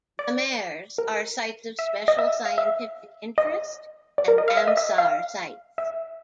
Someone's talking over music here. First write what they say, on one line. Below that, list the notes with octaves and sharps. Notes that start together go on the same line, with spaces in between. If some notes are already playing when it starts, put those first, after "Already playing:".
The meres are Sites of Special Scientific Interest and Ramsar sites.
D5
A#4
E5
D#5
E5
F5
E5
D#5
D5
A#4
D#5
F5
E5
D#5
E5
F5
E5